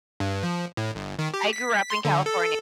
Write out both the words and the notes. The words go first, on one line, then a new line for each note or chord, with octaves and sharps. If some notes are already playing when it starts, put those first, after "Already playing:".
I grew up in California.
G2
F3
A2
G1
D#3
G4
B6
C6
D3
A4